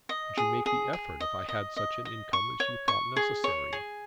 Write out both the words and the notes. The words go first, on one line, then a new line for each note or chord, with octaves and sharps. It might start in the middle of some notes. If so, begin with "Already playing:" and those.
Would you make the effort if I had such an income as you thought necessary?
D#5
G#4
G#4
G#4
D#5
D#5
D#5
D#5
C#6
C#5
C#6
G#4
C#5
G#4